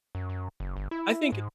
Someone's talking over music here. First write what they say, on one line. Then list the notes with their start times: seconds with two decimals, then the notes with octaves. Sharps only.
I think,
0.15 F#2
0.29 F#2
0.60 F#1
0.77 G1
0.91 E4
1.32 G#2